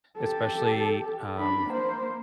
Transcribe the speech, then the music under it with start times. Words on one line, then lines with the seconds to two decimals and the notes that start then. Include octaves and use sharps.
especially, um,
0.18 G4 A4
1.39 D4 B5
1.70 A#3 C5